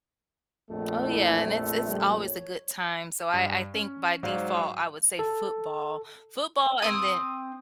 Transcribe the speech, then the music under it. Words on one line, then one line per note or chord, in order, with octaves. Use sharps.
Oh, yeah and it's it's always a good time so, I I think by default, I would say football. Football and then
A#1 F2 A3
E4
E5
G3
C#5
G2
C#4
G#2 F#3 C5 D5 F5
A4
C4 D#6